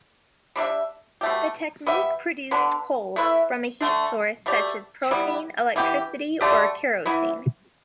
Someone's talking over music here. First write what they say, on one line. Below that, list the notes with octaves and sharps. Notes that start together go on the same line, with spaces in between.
The technique produced "cold" from a heat source such as propane, electricity, or kerosene.
G3 D4 A4 E5
B2 A3 G4
B3 G4 E5
D3 B3 D4
A3 E4 B4 E5
D3 A3 D4
B2 A3 G4 D5
G3 B3 E4
E3 B3 G4
D3 A3 G4 D5
E3 B3 E4